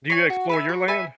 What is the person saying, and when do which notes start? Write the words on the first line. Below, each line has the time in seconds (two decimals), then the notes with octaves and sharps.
Do you explore your land?
0.10 C#5 G#5
0.30 F#4
0.49 B4 E5 G#5
0.69 F#4
0.88 B4 E5 G#5